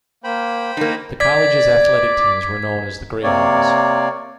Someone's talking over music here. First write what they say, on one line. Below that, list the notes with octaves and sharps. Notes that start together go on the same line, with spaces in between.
The college's athletic teams were known as the Greyhounds.
A#3 C5 G5 B5
A#3 D#4
D5 G#6 B6
C3 A#3 C4 C#5 D5